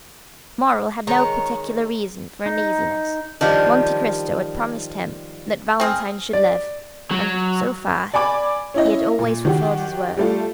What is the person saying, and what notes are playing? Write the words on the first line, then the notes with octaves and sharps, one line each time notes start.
Morrel had no particular reason for uneasiness; Monte Cristo had promised him that Valentine should live, and so far he had always fulfilled his word.
D#3 G#3 C#5 A#5
D#4
D#3 F3 G3 D4
C4 G#4 A#4
D5
F#3
D5 G#5 B5 D6
C#4 E4 D#5
A#2
D#3 F#4 G4
G3 A3 F4